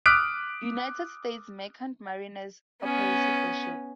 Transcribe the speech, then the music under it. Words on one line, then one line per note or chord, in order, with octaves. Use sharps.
United States Merchant Mariners operated the ship.
D6 D#6 F6 F#6 B6 D7
B3 C#4